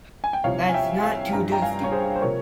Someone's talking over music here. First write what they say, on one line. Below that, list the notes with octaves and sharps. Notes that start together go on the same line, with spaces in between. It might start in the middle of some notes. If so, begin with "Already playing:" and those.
That's not too dusty.
G#5
G5
C2 C3 F3 C#5 F5
G#5
E5 G5
F5 G#5
G2 F3 A#5
G5 A#5
F5 G#5
C#5
G#4 C5
C5
C3 F3 A#4 C#5